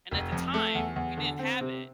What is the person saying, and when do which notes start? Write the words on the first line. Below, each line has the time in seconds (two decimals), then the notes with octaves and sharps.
and at the time we didn't have it.
0.11 F1
0.32 F2
0.54 A3
0.75 E2
0.96 E2
1.17 D3
1.39 C4
1.61 C3